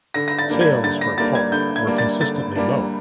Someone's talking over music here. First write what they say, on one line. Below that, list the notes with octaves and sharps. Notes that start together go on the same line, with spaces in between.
Sales for "Pulp" were consistently low.
D3 A#6
A#6
A6
G3 A#3 D4
G#6
D3 A6
A#6
G3 A#3 D4 A6
G#6
D3 G6
G#6
G3 A#3 D4
A6
D3 A6
G3 A#3 D4